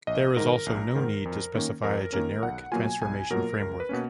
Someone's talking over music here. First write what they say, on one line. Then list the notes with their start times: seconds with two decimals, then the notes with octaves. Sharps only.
There is also no need to specify a generic transformation framework.
0.07 A#1 D#5
0.36 G#2 D#3 A#4
0.66 A#1
0.95 G#2 D#3
1.25 F2
1.54 D#3 A#3 C#4
1.84 F2 A#4
2.13 D#3 A#3 C#4 A#4
2.43 B1 F#5
2.72 B2 F#3 A#3 F4 G#5
3.02 B1 G#5
3.30 B2 F#3 A#3 F4 A#4
3.60 C#2 A#4
3.80 B4
3.89 B2 A#3 C#4